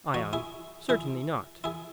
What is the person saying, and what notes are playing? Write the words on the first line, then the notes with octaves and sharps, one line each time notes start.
ION: Certainly not.
D#4 F#4
E4 G#4
E4 G#4
E4 G#4